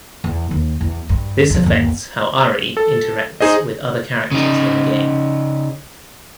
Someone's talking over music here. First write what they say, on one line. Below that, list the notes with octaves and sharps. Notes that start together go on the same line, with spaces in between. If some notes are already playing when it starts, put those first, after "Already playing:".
This affects how Ari interacts with other characters in the game.
E2
D#2
E2
G2
G2 F3
G1 D#2
A4
D#4 G#4 C5 D#5
C#3 D#4